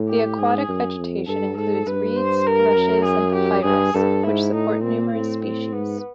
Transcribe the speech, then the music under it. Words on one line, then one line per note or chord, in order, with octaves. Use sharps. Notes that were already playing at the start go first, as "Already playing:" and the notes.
The aquatic vegetation includes reeds, rushes, and papyrus, which support numerous species.
Already playing: A2
G4
G#2 G#4
F#2
F2
G2 A4
G#2 A4
G2 B4
C5
A#4
F#2
G#4
G4
G2 G#4
G2 A4
G#2 E4
A2 D#4
A#2 C4
A2 C4
C4
G#2 B3